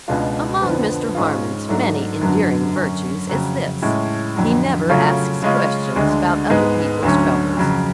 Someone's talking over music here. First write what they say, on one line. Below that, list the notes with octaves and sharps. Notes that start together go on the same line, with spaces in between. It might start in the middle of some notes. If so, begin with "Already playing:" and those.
Among Mr. Harmon's many endearing virtues is this: he never asks questions about other people's troubles.
C#2 B2 G#3 D4 F4
F2 D3 F3 B3
G#2 G#3 C#4 F4
G#2 F#3 A3 D4
F#2 D3 F#3 B3 D4
F#2 D3 F#3 C#4
F2 C#3 F#3
A2 G#3 C#4
F2 D3 F#3
C#3 F#3 A3 C#4 F4
C#3 G#3 C#4 F4
D2 D3 G#3
G#2 G#3 B3
D2 D3 F#3 C#4
F2 C#3 F#3